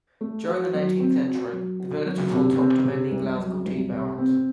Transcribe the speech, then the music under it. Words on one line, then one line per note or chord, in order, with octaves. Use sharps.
During the nineteenth century the village was once home to many Glasgow tea barons.
A3
F#4
F#3
C4
F#4
F#3
F#4
F#3
C3
C4
C3
C2
F#3
C2
C3
C4